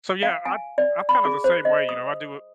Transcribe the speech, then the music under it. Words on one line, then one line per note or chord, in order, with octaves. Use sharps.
So, yeah, I I'm kind of the same way, you know. I do a
F5
G#5
D5
B5
G#4
C5
D#5
D#6